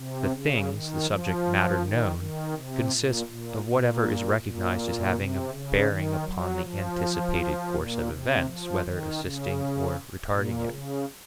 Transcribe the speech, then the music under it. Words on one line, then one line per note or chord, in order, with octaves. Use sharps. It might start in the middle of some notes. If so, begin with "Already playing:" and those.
The things, the subject matter known, consist of whatever is recognized as having a bearing upon the anticipated course of events, whether assisting or retarding it.
Already playing: C3
C#3
D#3
F3
D#3
D#3
C3
A#2
A#2
A#2
A#2
C3
C#3
D#3
F#3
F3
A#2
C3
F3
D#3
C#3
A#2
C#3